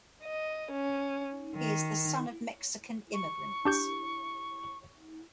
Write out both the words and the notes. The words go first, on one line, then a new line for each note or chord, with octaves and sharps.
He is the son of Mexican immigrants.
D#5
C#4
D#3
C#6
D4 G4 G6